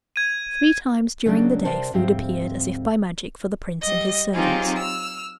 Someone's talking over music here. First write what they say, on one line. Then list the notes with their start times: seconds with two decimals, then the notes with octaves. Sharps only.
Three times during the day food appeared, as if by magic, for the prince and his servants.
0.16 G#6 D#7
1.26 C#3 F#3 G3 D4 D5 D#5
1.64 C3 A#4 C5 D5 A5
1.94 D2 G#2 F3 G3 C4
3.81 G3 D#5
4.33 F#3 C4 D#4 F4 G4 G#4
4.76 E6 F6